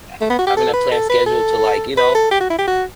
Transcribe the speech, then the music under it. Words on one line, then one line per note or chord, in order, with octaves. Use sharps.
Ha having a planned schedule to, like, you know,
A3
B3
F#4
G4
A4
B4
A4
B4
A4
B4
A4
G4
F#4
E4
G4
F#4